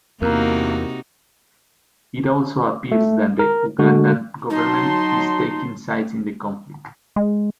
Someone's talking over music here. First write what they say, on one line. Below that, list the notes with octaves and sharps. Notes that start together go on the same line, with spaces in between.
It also appears that the Ugandan government is taking sides in the conflicts.
E2 C3 A#3 D#4 F#4 A#4 A#5
A3
A#4
D3 G#3 F#4
F#3 D#4 A5 C6
G#3